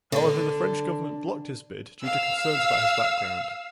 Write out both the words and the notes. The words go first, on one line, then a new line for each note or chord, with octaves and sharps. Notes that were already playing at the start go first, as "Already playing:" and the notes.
However, the French government blocked his bid due to concerns about his background.
D3 D4
F5 E6